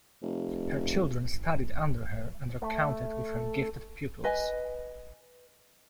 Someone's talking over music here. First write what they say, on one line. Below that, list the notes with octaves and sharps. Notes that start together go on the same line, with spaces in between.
Her children studied under her and are counted with her gifted pupils.
F1
A3
B4 D#5 G#5